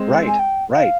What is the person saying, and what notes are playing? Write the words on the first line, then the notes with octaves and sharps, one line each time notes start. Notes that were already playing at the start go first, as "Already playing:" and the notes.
Right, right.
Already playing: G#3 C4
G#5
G5
F5